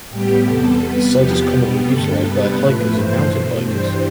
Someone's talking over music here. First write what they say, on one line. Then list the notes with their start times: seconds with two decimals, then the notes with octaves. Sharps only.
The site is commonly utilized by hikers and mountain bikers.
0.10 A2 G3 B3 G4
0.46 E2 C3 G3 B3 A4
0.80 C3 G3 B3 B4
1.16 E2 C3 F3 B3 G4
1.51 B2 G3 B3 G4
1.86 G2 D3 A3 A4
2.22 C3 G3 B3 B4
2.58 A2 F3 A3 B4
2.93 G2 E3 A3 C5
3.29 B2 A3
3.63 G2 E3 G3 C5